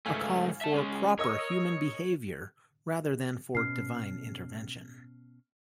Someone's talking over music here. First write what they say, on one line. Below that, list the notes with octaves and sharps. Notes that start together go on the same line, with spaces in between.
A call for proper human behaviour, rather than for divine intervention.
G#1 C#2 A3 F5 G#5
E5 A5
G#3 C#4
A#4 C#5 D#5 E6
B2 C#4 F6 C7